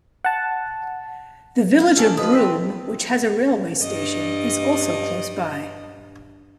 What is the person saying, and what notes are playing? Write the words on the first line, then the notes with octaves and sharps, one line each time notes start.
The village of Broome, which has a railway station, is also close by.
F#5 A5
D#5 F5
C#4 D4 A4
F3 F#4 B4 D#5 D#6
C4 B6
G2 D4 D#5